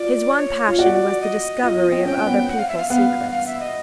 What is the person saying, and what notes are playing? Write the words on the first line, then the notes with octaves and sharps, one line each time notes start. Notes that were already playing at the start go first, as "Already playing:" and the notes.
His one passion was the discovery of other people's secrets.
Already playing: F4 D5
C#5
F4
F#4 D5
D#5
F4 D#5
F4
C4
C#4 G5
B3
F#5
F5
E5
F5
B3 F5
F5
E5
D#5